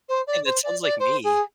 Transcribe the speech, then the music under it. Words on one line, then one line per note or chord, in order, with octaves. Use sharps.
And that sounds like me.
C5
D5
C5
D5
D5
C5
G#4